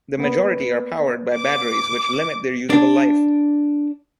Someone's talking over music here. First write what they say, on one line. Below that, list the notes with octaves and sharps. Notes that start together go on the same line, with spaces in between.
The majority are powered by batteries which limit their useful life.
A#3 B3 B4
D6
D4